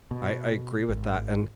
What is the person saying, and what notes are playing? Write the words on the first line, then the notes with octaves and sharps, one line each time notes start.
I I agree with that, and
B2
G#1